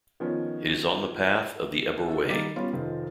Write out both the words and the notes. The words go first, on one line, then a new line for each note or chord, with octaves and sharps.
It is on the path of the Ebor Way.
D#3 F3 B3 C#4
F#4 A4
D#3 G3 A#3 D#5 D6 A6
G3 B3 C#4 F4
F1 D#3 F3